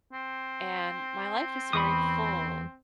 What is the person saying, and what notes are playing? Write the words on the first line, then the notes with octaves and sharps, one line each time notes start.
and my life is very full
C4
E2 B5 C#6 D#6